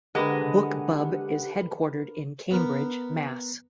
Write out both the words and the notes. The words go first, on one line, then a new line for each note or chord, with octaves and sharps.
BookBub is headquartered in Cambridge, Mass.
D3 G#3 A#3 G4 B4 D#5 F#5
B3 A#4